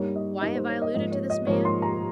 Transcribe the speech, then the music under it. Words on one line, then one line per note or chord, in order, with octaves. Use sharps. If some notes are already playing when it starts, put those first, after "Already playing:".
Why have I alluded to this man?
Already playing: G2 G3 A#3 D#4 C#5
D#5
G2 G3 A#3 D#4 D#5
C5
C#5
D#5
G#2 F3 A#3 D#5
C#5
D#5
G#2 F3 A#3 C#5
C6
A#5